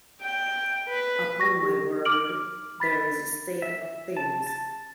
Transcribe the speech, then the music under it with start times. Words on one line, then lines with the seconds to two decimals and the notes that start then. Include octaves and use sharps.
Upon my word, here's a state of things!
0.22 G5
0.89 B4
1.40 C#6 A#6
1.63 G4
2.05 D6 F6 D7 F#7
2.80 B5 A6 B6
3.62 E5
4.17 A5
4.47 A5